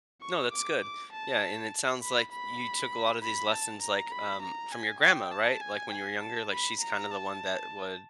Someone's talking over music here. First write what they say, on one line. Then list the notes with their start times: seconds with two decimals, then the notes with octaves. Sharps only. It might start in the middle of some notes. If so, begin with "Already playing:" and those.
No, that's good. Yeah, and it sounds like you took a lot of these lessons, like, um, from your grandma, right, like, when you were younger, like, she's kinda the one that would
0.22 C#6
0.52 D6
0.82 D6
1.13 A5
2.02 B5
2.32 B5
3.22 B5
3.52 A5
3.82 A#5
4.12 B5
4.42 A#5
4.72 G#5
5.02 G5
5.32 A5
5.61 G#5
5.92 G#5
6.21 A5
6.51 B5
6.81 A#5
7.11 A5